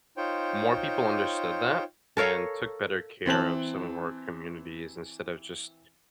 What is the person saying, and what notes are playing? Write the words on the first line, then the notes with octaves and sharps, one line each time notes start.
more people understood that, and took better care of some of our communities instead of just
D#4 F4 C5 C#5 G5
A4 A#4 C#5 F5
E3 C4 A5 F#7